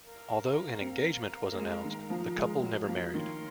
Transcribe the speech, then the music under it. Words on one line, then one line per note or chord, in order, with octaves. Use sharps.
Although an engagement was announced, the couple never married.
A#4 F5 A#5
C4
A#3
G#3
D#3
F3
G#3
F#3
F3
D#3 A#4 C#5 F5 C6